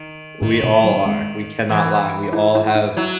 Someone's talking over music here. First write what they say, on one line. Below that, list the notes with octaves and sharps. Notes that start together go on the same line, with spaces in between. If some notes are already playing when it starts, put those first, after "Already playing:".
We all are, we cannot lie, we all have
Already playing: D#3
G#2 D#3
B2
F#3
G#3
E3
E4
E4
D#4
F#3 E4